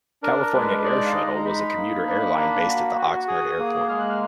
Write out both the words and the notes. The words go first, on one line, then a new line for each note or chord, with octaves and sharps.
California Air Shuttle was a commuter airline based at the Oxnard Airport.
D4 A#4
A#4
G#3 B4
B4
D#4 D5
F5
G#3 D#5
A#5
D#4 B5
A#3
D4
A#3
F#4
F#4
G#4 D#6
A#3
G#3 F6
F#6
F6